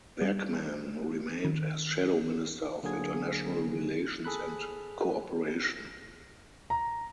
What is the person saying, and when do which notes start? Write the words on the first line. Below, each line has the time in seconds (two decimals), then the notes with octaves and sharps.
Bergman remained as Shadow Minister of International Relations and Cooperation.
0.22 G3
1.45 D#3
2.83 D3 F#3 A#3 G#4 G#6
4.24 G#4 A4 B5 F#6
6.70 A#5